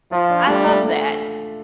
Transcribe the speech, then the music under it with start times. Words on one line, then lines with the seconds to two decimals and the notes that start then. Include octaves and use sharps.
I love that.
0.11 F3 F4
0.30 D4
0.47 G3 A3
0.66 A3
0.84 A3